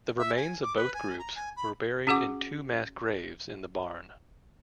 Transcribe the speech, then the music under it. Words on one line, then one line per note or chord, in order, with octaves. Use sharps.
The remains of both groups were buried in two mass graves in the barn.
E5
G#5
D6
B4
G#5
A#5
G#5
B5
C#4 F#4 G#4 F#5 D6